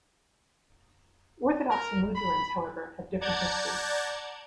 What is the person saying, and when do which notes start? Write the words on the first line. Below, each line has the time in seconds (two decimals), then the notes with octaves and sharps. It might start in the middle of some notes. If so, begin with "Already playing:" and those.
Orthodox and Lutherans, however, have different histories.
1.68 A#4
2.15 B5
3.21 D5 F#5 A5 A#5 G6 G#6